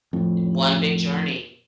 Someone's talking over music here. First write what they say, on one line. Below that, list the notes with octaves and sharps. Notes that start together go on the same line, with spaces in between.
One big journey,
F2 A2